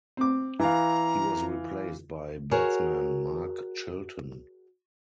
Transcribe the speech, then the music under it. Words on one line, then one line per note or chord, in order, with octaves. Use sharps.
He was replaced by batsman Mark Chilton.
C4 D6
E3 F5 A#5
F#4 G#4 A#4 C#5